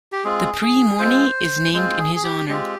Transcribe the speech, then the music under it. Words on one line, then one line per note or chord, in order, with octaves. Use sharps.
The Prix Morny is named in his honour.
G4
G#3 C4 F4 G#4
G#4
G#3 C4 F4 C5
G#3 C4 F4 C5
G#4
G#4
G4
G#3 C4 F4 G4